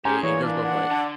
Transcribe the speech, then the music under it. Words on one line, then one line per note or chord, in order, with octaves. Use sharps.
It it goes both ways,
C#4 G4 G#4 G#5 A#5 C6
A#2 E3 C#5
D4 F5
F#5
D3 A5